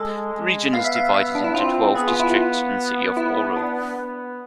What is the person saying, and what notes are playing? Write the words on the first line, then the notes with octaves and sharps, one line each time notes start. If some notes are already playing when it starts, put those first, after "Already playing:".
The region is divided into twelve districts and the city of Oral.
Already playing: G#3 A4
G#3
B3 F5
E5
F5
E5
D4
E4
C4 F4
B3 G#4
F4
E4
F4
E4
D4
B3